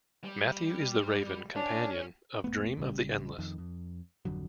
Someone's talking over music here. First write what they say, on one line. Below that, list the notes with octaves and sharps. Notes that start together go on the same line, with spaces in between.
Matthew is the raven companion of Dream of the Endless.
G3
C#4 D4
E1 A3 B3
A1 C#3 G3
F2 D#3
F2
G#1 F2 D3 F#3